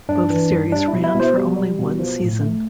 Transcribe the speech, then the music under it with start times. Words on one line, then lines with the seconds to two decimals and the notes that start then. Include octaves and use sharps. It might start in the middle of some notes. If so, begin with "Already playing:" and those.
Both series ran for only one season.
0.09 G2 D4
0.30 E3
0.51 G2
0.72 G3 D4
0.88 E4
0.93 B2
1.04 E4
1.15 B2
1.20 C5
1.36 G3
1.56 G3
1.78 B2
1.99 F3
2.21 A2
2.42 A3